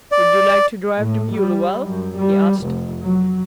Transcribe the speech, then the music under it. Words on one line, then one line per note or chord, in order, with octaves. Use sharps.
"Would you like to drive the mule awhile?" he asked.
D5
A2
G3
F#2
G3
F1
F#3